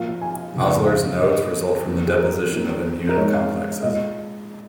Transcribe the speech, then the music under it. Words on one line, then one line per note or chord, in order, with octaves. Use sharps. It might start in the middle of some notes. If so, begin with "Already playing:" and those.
Osler's nodes result from the deposition of immune complexes.
Already playing: A#2 F3 A#3 F5
G#5
F2 C#3 F3
F5
A#2 F3 A#3 D#5
F2 F3 A#3
G#4
A#4
A#4
G#2 F3 A#3
A#4
G#2 G#3 C#5
F5
A#2 G#3 D#5